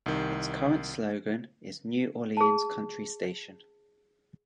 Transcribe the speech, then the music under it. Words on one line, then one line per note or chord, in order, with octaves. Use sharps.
Its current slogan is New Orleans Country Station.
C2 D#3
G#4 A5